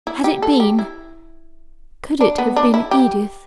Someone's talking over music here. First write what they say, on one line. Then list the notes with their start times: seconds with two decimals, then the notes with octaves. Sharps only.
Had it been--could it have been Edith?
0.07 E4
0.24 G4
0.42 A4
0.60 G4
0.79 E4
2.21 D4
2.38 B3
2.56 D4
2.74 E4
2.91 G4